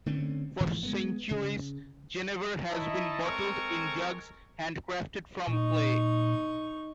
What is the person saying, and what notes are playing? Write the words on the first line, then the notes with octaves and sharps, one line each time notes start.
For centuries jenever has been bottled in jugs handcrafted from clay.
D3 A3 C4 C#4
G#2 E3 F3 A#3
G#3 A3 B3
C#3
D#4 E4 C#5 D#5 E5 A5
G#3 C4 A4 A#4 G#5 C#6
A#2 D#4 C#6